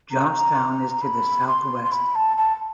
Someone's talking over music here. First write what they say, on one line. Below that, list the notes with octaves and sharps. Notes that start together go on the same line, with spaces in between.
Johnstown is to the southwest.
A#5
B5
C6
C6
B5
A5
A5